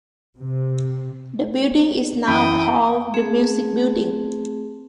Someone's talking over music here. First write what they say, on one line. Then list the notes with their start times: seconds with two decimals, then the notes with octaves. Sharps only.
The building is now called "The Music Building".
0.38 C3
2.28 F#2 E3 D#4 E4 G5 B5 D#6
3.14 A3 C4 G#4